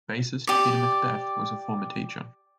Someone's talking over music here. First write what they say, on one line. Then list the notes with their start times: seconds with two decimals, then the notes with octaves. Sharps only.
Bassist Peter Macbeth was a former teacher.
0.47 G4 D5